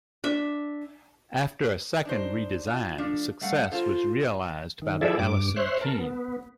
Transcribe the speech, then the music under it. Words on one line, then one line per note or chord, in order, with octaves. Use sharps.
After a second redesign, success was realized by the Allison team.
D4 E5
D4 D#4 C5
F4
F3 A3 D4
G3 A3 F5 F#5
F4 A4 C5 F5
D#3
F3 E4 G#4 A4 D5 E5
G2 D6
C5 C#5 E5 C6 F#6
A#4 A5
B3